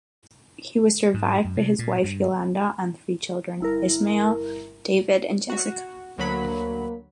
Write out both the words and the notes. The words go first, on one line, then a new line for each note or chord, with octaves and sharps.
He was survived by his wife Yolanda and three children: Ismael, David, and Jessica.
G#2
F#2
C3
A#2
G2
G1 E4 A#4
F#4
D2 F#3 A#3 B5